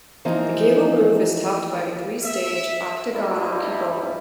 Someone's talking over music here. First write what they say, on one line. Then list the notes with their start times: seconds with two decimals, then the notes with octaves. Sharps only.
The gable roof is topped by a three-stage octagonal cupola.
0.25 E3 F3 A#3 D#4
2.23 E5
3.12 G2 G3 D#4 E4